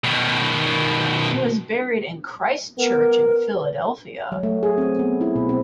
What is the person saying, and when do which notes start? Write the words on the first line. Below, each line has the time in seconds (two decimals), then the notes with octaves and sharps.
He was buried in Christ Church in Philadelphia.
0.04 B2 D#3
2.78 B3 A#4
3.28 B4
4.32 F#3
4.43 A3
4.63 G#4
4.78 C4
4.99 B3
5.21 E4
5.36 B2
5.49 C4